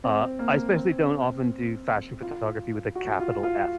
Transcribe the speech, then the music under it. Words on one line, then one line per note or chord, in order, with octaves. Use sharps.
Uh, I especially don't often do fashion photography with a capital F.
C4
A#3
C4
F4
F#4
F4
F4